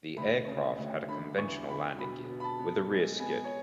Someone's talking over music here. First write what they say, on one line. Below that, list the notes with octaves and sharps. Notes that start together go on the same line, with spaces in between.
The aircraft had a conventional landing gear, with a rear skid.
D2 B5
C#3
D2
D3 B5
E2 C#6
D3 B5
B2 B5
B2
B5
A5
B3
G#3
B3 G#5
C#5